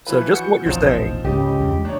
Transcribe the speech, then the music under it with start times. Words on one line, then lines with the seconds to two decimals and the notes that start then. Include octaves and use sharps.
So just what you're saying
0.07 E3 F3 B4
0.32 F#4 G6 C#7
0.66 E1 A#1 F3 C4 D#4
1.25 C#2 G#2 G4 D#5
1.60 E2 G2 G3
1.85 A3 D4 D#4 C#5